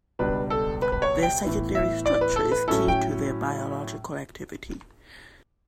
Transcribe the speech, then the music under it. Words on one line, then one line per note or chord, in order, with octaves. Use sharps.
Their secondary structure is key to their biological activity.
C#2 B2 G3 D4 B4
A4
B4
B4
C#5
G5
A2 E3 B3 E4
E5
D5
B4
A4
B4
A2 F#3 C#4 E4 A4
G5